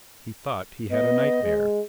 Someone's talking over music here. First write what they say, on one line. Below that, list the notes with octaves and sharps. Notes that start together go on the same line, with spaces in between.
He thought he had a nightmare.
B3 D#5
G#3